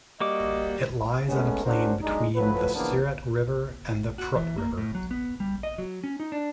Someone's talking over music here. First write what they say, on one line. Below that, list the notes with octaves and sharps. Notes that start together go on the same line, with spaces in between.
It lies on a plain between the Siret River and the Prut River.
G3 A#3 F#4 D#5 D6
G#3 A3 B3 C#4
C#4 D4 F#4 G#4 A#4 C5
B1 G#3 D4 D#4
A2 F3 F#3 B4
C#3 E3 F3 A#3 B3 D4
F#4
E3
A#3
A2
F#3
B3
G3
D#5
F#3
C#4
D#4
D4